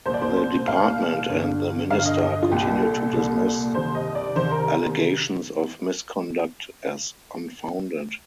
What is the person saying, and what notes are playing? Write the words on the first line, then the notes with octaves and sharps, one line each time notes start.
The Department, and the Minister, continued to dismiss allegations of misconduct as unfounded.
C2 A#2 C5
D5
C5
C5
C2 A#2 F5
G1 G2 D3
G1 G2 D3 F5
D#5
D#5
F4
C2 A#2 G4
A4
C2 A#2
C2 C3 D#3 C5
D#5
D5
C2 C3 D#3 C5
A#4